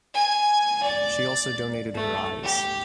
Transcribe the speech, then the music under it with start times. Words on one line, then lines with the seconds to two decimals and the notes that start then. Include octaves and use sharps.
She also donated her eyes.
0.14 G#5
0.82 D5
1.95 A3
2.43 G4